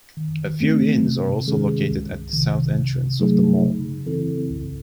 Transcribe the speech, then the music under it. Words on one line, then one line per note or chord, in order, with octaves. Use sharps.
A few inns are also located at the south entrance of the mall.
D#3
A3 C4
C3
D#3 G#3 C#4 G#4
C2
C3 D#3
C3
F#3 A3 D#4 G#4
C#3
E3 C4 E4 A4
C2